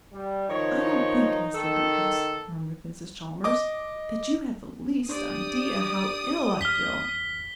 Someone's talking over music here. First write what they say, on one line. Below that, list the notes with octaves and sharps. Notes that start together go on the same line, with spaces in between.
"I don't think, Mr. Lucas," murmured Mrs. Chalmers, "that you have the least idea how ill I feel."
G3
D#3 F3 D#4 C#5
D#3 A4
D#5 D6
D4 G4 D5 D#6
E2 F6 B6 G7